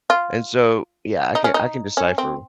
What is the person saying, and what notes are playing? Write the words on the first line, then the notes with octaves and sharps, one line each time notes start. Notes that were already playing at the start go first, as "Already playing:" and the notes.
and so, yeah, I can I can decipher
F4
D#4
C#4
D#4
C#4
C4